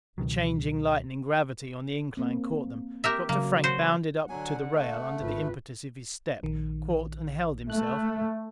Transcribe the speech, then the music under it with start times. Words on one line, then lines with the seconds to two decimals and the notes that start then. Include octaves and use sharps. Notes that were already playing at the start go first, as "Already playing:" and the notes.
The changing, lightening gravity on the incline caught them. Dr. Frank bounded up to the rail under the impetus of his step; caught and held himself.
0.18 C#2 B2 D#3 F#3
2.17 A#3 C4
3.04 G4 A#4 E5
3.29 C#3 F#3 A#3
3.64 F#4 C5
4.29 D3 F#3 F#5 G#5
4.74 A3
5.20 G#1 F4 B4
6.43 A#1 D#3
7.70 A3 F#6